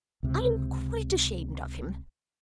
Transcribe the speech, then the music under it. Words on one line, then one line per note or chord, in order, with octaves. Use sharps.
I am quite ashamed of him.
C#2 C3